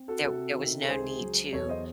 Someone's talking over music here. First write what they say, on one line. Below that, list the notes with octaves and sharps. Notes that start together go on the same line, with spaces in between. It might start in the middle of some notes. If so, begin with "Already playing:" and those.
There there was no need to
Already playing: C4
F#4 A4
C3 F#4 A4
D#3
A4
C#2 G#4 C5
F#3
E2 A4 C#5
C5 D#5